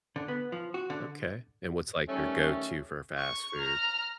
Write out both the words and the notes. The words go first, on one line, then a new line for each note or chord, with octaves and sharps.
Okay, and what's, like, your go-to for fast food?
D3
B3
F3
F#4
D3
D#3 G3 A3 C#4
C#6
A#5 F6